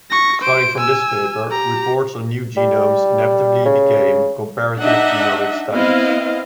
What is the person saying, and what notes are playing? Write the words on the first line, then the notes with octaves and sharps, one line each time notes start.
Starting from this paper, reports on new genomes inevitably became comparative-genomic studies.
C#6 A#6
C5 D7
G#5 E6
G4 A#5
G3
C#3
D4 D#4 D#5 E5 F#5
B3 C4 E4 D#5 F5